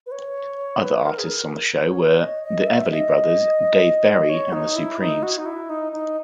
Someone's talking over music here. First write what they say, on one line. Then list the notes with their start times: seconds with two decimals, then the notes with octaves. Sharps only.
Other artists on the show were The Everly Brothers, Dave Berry and The Supremes.
0.06 B4
0.12 C#5
0.81 B4
1.04 A#4
1.18 G#4
1.27 A#4
1.86 C#5
2.20 D#5
2.43 D#5
2.66 E5
2.90 D#5
4.29 C#5
4.53 D#4
4.76 E4
5.00 D#4
5.23 F#4
5.38 D#4
5.46 E4
5.69 D#4
5.92 D#4